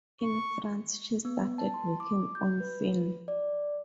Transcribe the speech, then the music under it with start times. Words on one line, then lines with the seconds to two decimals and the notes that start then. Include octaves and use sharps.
In France she started working on film.
0.22 C#6
1.25 B3
1.58 A5
1.74 C6
2.00 D6
2.35 G6
2.60 B4
3.28 D5